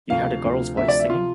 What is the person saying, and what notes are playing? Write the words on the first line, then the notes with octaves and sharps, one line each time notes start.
You heard a girl's voice singing?
D2 C3 F3 F5
D2 C3 F3
D2 C3 F3 E5
D5
E5
C3 F3 F4